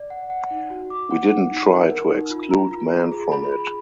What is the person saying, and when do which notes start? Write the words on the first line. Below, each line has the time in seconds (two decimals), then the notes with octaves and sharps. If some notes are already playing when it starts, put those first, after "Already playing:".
We didn't try to exclude men from it.
Already playing: D5
0.10 F#5
0.30 F#5
0.51 D#4
0.70 F#4
0.90 D6
1.11 F#5
1.30 F#5
1.51 D#4
1.71 A#4
1.91 A#4
2.11 D#4
2.31 F4
2.51 A#5
2.71 F4
2.92 F4
3.12 G#4
3.32 B5
3.52 B5